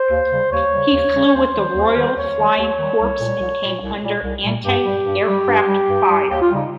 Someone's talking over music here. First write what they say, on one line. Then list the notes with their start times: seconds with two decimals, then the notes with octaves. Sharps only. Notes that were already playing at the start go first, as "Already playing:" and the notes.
He flew with the Royal Flying Corps and came under anti-aircraft fire.
Already playing: C5
0.10 D#2
0.31 C#3 G3
0.52 D#2 C#5
0.72 C#3 G3
0.93 D#2
1.13 C#3 G3
1.25 C#5
1.35 D#2 C5
1.55 D#3 G3
1.75 D#2
1.96 D#3 G3
2.17 D#2 C#5
2.37 D#3 G3
2.58 D#2
2.79 D#3 G3
3.00 C2
3.20 A#2 G3
3.40 C2
3.61 A#2 G3
3.82 C2
4.03 A#2 G3
4.23 C2
4.44 A#2 G3
4.65 G2 G4
4.85 G3
5.06 G2
5.27 G3
5.47 G2
5.67 G3
5.88 G2
6.09 G3
6.29 D#2 G4
6.42 F4
6.51 C#3 G3 D#4